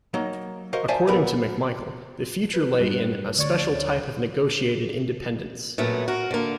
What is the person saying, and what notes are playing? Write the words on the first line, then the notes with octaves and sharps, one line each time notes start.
According to McMichael the future lay in "a special type of negotiated independence".
F#3 A#3 D#4
F#4 A#4 C5 D#5 F5
C5 D5 E5 F5 G#5 A5
A#2 G3 B3 A#4 B5
B4
G2
D2 C#5 D5
A#2 F#3 A3 B3
F#4 A#4
D3 A#3